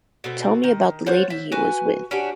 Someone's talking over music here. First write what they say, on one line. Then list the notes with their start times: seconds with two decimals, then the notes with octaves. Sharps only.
Tell me about the lady he was with.
0.24 B2 A3 C4
0.64 D#3
1.06 F4 C5 C#5 F#5
1.30 E5
1.52 F#4 B4 G#5
2.11 C#4 D4 F#4 G4